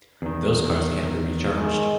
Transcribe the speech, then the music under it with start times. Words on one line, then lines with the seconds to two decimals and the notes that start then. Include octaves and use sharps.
Those cards can't be re-charged.
0.22 E2 D#3
1.54 D#3 G#3